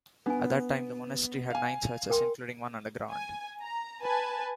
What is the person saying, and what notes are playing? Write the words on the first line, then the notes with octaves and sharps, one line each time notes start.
At that time the monastery had nine churches, including one underground.
B3 D4 G#5
F5 G#5
A#4 G5 C6
G#5
A#5
B4 G#5 A5